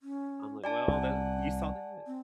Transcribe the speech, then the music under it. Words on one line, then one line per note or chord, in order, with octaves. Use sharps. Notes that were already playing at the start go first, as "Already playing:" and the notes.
I'm like, “Well, that “you saw that?
C#4
D4 D5 G#5 A5
C2 F#5
C4